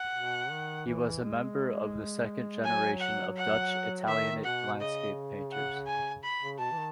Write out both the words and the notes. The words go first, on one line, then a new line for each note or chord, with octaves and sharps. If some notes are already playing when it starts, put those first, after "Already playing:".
He was a member of the second generation of "Dutch Italianate landscape" painters.
Already playing: F#5
B2
D#3
E3
G#3
F#3 G#5
F#5
F#5
D#3 E5
B2 F#5
C#3 D#5
F#5
G#5
B5
C#3
B2 A5
E3
D#3